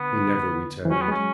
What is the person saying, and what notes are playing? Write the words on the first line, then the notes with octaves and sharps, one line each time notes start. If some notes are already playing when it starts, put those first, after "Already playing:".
He never returned.
Already playing: D3 B3
E3
F#3 C#4
B3
G#3 C#4